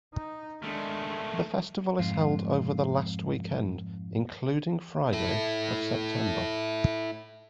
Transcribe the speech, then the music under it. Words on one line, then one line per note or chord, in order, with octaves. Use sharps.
The festival is held over the last weekend, including Friday, of September.
D#4
D#3 G#3 A3 D4
F2 G#2 F4
E4 A4